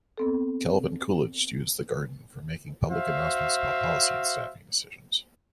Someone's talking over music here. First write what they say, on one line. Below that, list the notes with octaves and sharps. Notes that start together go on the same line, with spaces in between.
Calvin Coolidge used the garden for making public announcements about policy and staffing decisions.
B3 C4 A4
F#4 C5 E5 F5